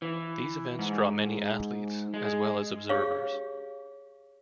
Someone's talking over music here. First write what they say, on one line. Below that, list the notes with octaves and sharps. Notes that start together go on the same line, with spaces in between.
These events draw many athletes as well as observers.
E3
G#2
G#3
G4 G#4 C#5 F5